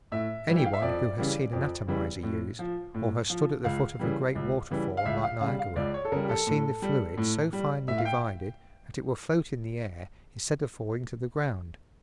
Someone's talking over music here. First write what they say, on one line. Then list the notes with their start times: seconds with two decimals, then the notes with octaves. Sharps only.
Anyone who has seen an atomizer used or has stood at the foot of a great waterfall, like Niagara, has seen the fluid so finely divided that it will float in the air, instead of falling to the ground.
0.12 A2 E5
0.47 E3 G3
0.57 G5
0.65 F5
0.73 E5
0.82 F2 D5
1.18 C#3 E3 G3
1.53 F2
1.88 C#3 E3 G3
2.23 A2
2.59 F3
2.94 A2
3.30 F3
3.64 C#2 F5
3.99 C#3 E3 G3
4.35 C#2
4.71 C#3 E3 G3
4.97 F5
5.05 C#2 E5
5.23 F5
5.41 C#3 G3 F5
5.59 F5
5.76 C#2 D5
5.94 C#5
6.05 A4
6.12 C#3 G3 A#4
6.25 G4
6.29 A4
6.47 A2
6.82 G3
7.17 A2
7.53 G3
7.88 A2 E5
7.98 F5
8.05 G5